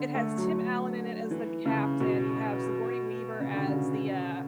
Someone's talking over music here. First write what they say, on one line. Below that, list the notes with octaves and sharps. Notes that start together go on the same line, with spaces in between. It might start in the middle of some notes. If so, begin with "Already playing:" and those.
it has Tim Allen in it as the captain, you have Sigourney Weaver as the, uh,
Already playing: D3
A3
F#3
E3
C#3
B2
C#3
D3
C#3